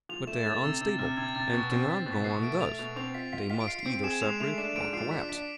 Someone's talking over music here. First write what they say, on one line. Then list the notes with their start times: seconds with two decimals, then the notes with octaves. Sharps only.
But they are unstable, and cannot go on thus: they must either separate or collapse.
0.09 F3 F7
0.27 A3 E7
0.39 A6
0.45 A3 G#6
0.63 C3 E6
0.81 C3 E6
0.99 C3 F6
1.17 C3 G#6
1.35 C3 A6
1.53 B2
1.71 C4
1.88 C4 B6
2.01 A6
2.06 B2
2.13 B6
2.24 B2 C7
2.42 A3 D7
2.61 A3 F7
2.78 B2 F7
2.96 C4 F7
3.15 F4 B6
3.33 F4 B6
3.50 F4 B6
3.60 D7
3.68 F4 C7
3.80 C7
3.86 C4 D7
4.04 G#4 E7
4.21 G#3 F7
4.40 A3 F7
4.58 D4 E7
4.76 G#2 D7
4.93 F3 C7
5.11 D4 B6
5.29 D4 B6